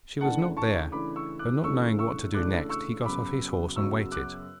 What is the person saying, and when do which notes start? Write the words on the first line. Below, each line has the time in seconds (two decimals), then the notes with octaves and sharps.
She was not there, but not knowing what to do next, he got off his horse and waited.
0.21 C#3 E3 A3 D4 F#5 A5
0.57 A5 C#6
0.92 C#3 E3 A3 D4 B5 D6
1.16 C#6 E6
1.39 D6 F#6
1.63 C#3 E3 A3 D4 C#6 E6
1.99 C#6 E6
2.34 C#3 E3 A3 D4 D6 F#6
2.70 C#6 E6
3.05 F#2 C#3 F#3 B3 B5 D6
3.76 F#2 C#3 F#3 B3 C#6 E6
4.12 D6 F#6